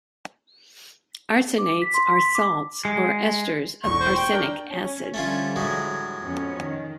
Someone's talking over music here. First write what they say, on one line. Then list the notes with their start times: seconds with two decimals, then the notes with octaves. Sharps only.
Arsenates are salts or esters of arsenic acid.
1.58 D6
1.82 B6
1.94 C6
2.11 B6
2.35 D6
2.85 G#3
3.84 E1 E2 A2 C#6
4.00 C5
4.16 G5
4.32 D4 A#4 G6
4.71 C#4
5.14 D3 F3 G3 A3 C#4 F4
5.56 A2 F#3 G#3
6.20 F2 B3 C#4
6.61 D#3